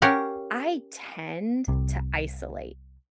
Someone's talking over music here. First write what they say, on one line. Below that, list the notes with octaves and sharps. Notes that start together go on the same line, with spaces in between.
I tend to isolate
C#4 G4 A#4 F5 F#5
C2 C3